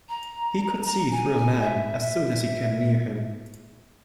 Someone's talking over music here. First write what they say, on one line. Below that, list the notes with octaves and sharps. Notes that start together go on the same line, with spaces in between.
He could see through a man as soon as he came near him.
A#5
A#5
G#5
G#5
E5
E5